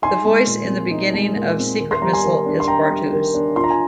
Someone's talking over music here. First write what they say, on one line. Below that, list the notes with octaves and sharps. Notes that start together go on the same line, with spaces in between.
The voice in the beginning of "Secret Missile" is Bartu's.
D#4 G#5 C6
G#3
A#2
C4
D#4
G#3
A#2
C4
D#3
C6
G3 A#5
G#5 C6
D#3
D4
C6
D#3 G5 A#5
G3
D#3
D4
F4 C6
A#5
G#5